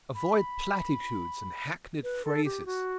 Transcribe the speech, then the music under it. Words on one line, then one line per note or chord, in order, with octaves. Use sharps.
Avoid platitudes and hackneyed phrases.
B5
B4
A4
G4
F#4